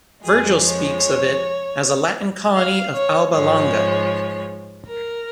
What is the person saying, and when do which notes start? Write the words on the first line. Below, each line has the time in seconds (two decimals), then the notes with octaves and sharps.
Virgil speaks of it as a Latin colony of Alba Longa.
0.23 F2 F3 G#3 G#4
0.62 C#5
2.54 F5
2.94 C#5
3.32 G#2 F3 G#3 C#5
4.87 A#4